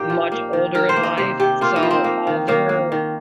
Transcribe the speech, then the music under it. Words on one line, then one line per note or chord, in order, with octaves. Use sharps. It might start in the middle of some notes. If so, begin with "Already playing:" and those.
much older in life, so all their
Already playing: A#2 A#3 D#4 G4
F3
A#3
D#3
D#3 A#4
C5
A#3
D#5
C3 C5
C3 G4
A#3 F4
D#4
F3
C4
A#3
D#3
D#3 A#3
A#3
D#3